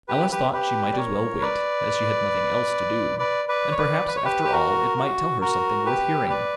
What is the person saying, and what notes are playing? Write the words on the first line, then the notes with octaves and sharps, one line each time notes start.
Alice thought she might as well wait, as she had nothing else to do, and perhaps after all it might tell her something worth hearing.
G4 B4
G4 B4
G4 B4
D5
A#4 C#5
B4 D5
B4 D5
B4 D5
C#5
B4 D5
B4
C#5
G4 B4
G4
F#4 A#4
F#4
F#4 A#4
G4 B4
B4 D5